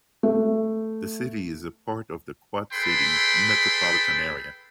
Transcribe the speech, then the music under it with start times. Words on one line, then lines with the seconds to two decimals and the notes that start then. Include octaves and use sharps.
The city is a part of the Quad Cities Metropolitan Area.
0.23 A3
2.72 G#4 A4 B4 G5 B5 C6